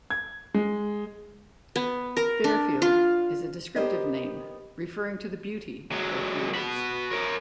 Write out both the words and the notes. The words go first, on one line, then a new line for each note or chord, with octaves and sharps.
Fairfield is a descriptive name referring to the beauty of their fields.
G#6
G#3
B3
A#4
D4
F4
B3 G4 A#4 C5 D#5
F#3 G#3
F#4 B5
A#4 C#5